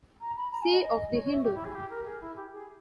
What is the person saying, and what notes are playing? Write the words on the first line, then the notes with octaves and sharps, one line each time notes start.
C of The Hindu.
A#5
B5
A#5
G#5
D#5
D#5
C#5
C#5
E5
G4
E4
G#4
G4
A#4
G#4
E4
G4
G#4